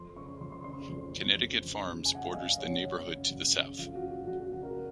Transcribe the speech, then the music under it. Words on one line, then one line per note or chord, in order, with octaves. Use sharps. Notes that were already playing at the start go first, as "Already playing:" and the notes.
Connecticut Farms borders the neighborhood to the south.
Already playing: F2 C6
C#3 C#6
F2 C6
C6
C#3 C6
F2
C#3
F2
C#3
F#2
C#3 G#5
F#5
F5
F#2 D#5
C#3 C#5
F#2
C#3
F#2
C#3
F2 F4
F#4
C#3
F#4
F2 F#4
F#4
C#3 F#4
A#4